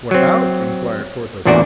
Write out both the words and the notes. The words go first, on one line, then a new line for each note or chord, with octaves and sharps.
"What about?" inquired Porthos.
F#3 C4
A1 E2 A#2 D4 F#4 D5